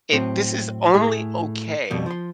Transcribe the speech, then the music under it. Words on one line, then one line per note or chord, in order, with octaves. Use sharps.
it this is only okay
A2 F#3 C4
A2 G#4
F2 B2 G3
F3 C6